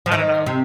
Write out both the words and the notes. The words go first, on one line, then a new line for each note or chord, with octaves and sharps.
I don't know,
F3
D#3
C3